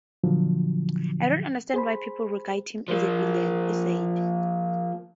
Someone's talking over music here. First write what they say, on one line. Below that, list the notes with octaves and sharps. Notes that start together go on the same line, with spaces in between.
"I don't understand why people regard him as a villain," he said.
A#2 D3 F3 F#3
G#4 C5 B5
F3 A#3